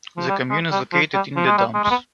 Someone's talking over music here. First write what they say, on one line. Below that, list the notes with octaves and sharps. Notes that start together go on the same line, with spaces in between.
The commune is located in the Dombes.
F3
G3
G#3
G3
F3
G3
F3
G#3
G3
G#3
G#3
B3